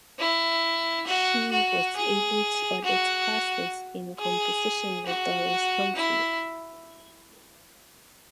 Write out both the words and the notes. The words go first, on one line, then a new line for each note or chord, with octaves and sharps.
She was able to audit classes in composition with Doris Humphrey.
E4
F#4
F#4
G#4
F#4
G#4
F#4
E4